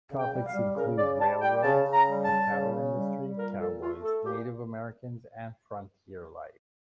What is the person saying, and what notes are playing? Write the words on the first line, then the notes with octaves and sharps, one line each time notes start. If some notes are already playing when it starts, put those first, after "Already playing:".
Topics include railroads, the cattle industry, cowboys, Native Americans and frontier life.
C#3
G5
G3
F5
G3
C#3 A#4
C#3 D5
G3 A5
G3 G5
C#3 A5
C#3
A#5
G3
A5
G3
C#3
C#3
G3
G3
A#2 A#4
A#2 A4
A3 F4
A3 A4
A#2 G4